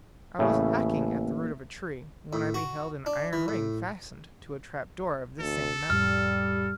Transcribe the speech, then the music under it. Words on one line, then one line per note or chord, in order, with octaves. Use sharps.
I was hacking at the root of a tree, when I beheld an iron ring fastened to a trapdoor of the same metal.
A1 A2 C#3 A#3 E5
A2
F#4
D4
E3
A2
D2 A4
F2 A2 G3 F6